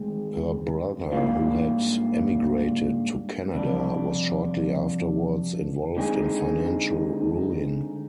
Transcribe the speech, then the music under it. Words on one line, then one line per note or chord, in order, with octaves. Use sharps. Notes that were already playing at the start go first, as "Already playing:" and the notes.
Her brother, who had emigrated to Canada, was shortly afterwards involved in financial ruin.
Already playing: D#3 G#3 C4
G#2 G3 A#3 D4 F4
F2 C3 G3 D4
D3 G#3 C4 D#4 G#4